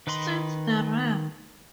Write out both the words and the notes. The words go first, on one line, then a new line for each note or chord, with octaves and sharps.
Since the Rev.
D#3 B4 D#5 B5 C6